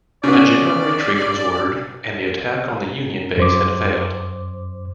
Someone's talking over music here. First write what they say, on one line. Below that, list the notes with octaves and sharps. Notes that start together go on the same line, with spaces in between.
A general retreat was ordered, and the attack on the Union base had failed.
C#3 B3 D5
F#2 C5 D6